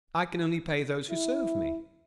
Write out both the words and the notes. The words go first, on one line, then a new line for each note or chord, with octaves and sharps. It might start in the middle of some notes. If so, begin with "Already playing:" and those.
I can only pay those who serve me.'
E4